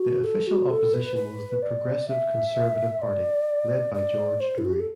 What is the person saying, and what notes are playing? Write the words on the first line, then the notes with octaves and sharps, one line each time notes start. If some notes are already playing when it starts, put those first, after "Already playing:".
The Official Opposition was the Progressive Conservative Party, led by George Drew.
Already playing: F#4
A4
F#4
A4
B4
B4
D5
E5
D5
D5
C5
E4
F#4
G4
A4